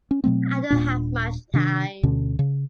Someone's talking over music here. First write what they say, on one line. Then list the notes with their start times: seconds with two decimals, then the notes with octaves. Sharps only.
I don’t have much time.
0.11 C#4
0.24 B2 F#3 A3 C4
0.71 D#1 A#2 D4
1.54 C3 D#3 D4
2.03 D2 B2 D3 C#4
2.39 C#3